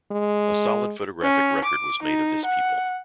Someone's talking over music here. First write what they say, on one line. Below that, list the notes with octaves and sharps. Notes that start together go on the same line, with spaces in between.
A solid photographic record was made of this people.
G#3
C#4
D6
D#4
F#5